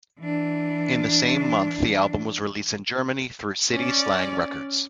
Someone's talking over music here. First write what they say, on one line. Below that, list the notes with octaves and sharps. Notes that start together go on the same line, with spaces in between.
In the same month the album was released in Germany through City Slang Records.
E3 D4
C#4 D5